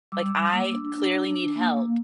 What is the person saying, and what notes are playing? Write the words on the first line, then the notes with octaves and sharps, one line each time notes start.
Like I clearly need help,
G3 D6 E6
G3
A#3
D4
D4
D4
D4
A#3
A#3